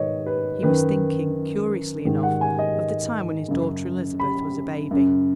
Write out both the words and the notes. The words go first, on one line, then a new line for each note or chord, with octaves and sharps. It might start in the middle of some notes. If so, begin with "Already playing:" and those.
He was thinking, curiously enough, of the time when his daughter Elizabeth was a baby.
Already playing: G#2 D#3 B4 C#5 D#5
B4
F#2 D#3 B4
G#2 D#3
F#5
G#5
D#5
F#2 C#3
B5
F#2 C#3